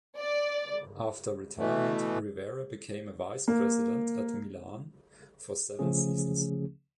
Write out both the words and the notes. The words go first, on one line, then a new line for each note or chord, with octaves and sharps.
After retirement, Rivera became a vice-president at Milan for seven seasons.
D5
B2 E3 A3
A#3
C#3 F3 A3 C#4 G#4